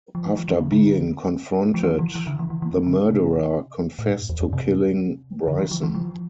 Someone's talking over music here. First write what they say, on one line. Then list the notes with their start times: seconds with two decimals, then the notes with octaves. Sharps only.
After being confronted, the murderer confessed to killing Bryson.
0.15 F3
0.25 E3
0.37 F3
0.48 E3
0.60 D3
0.72 D3
1.74 F3
1.83 E3
1.99 E3
2.15 E3
2.27 D3
2.39 E3
2.50 E3
2.62 E3
2.86 D3
3.11 C3
3.99 A2
4.06 A#2
4.11 G2
4.17 A2
4.29 E2
4.41 F2
4.53 C3
5.48 D3
5.59 E3
5.71 F3
5.83 E3
5.95 F3